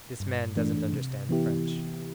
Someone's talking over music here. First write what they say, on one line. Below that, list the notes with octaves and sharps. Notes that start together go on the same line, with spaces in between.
"This man doesn't understand French."
G2
E3 A3 D4
C3
E3 B3 E4 G4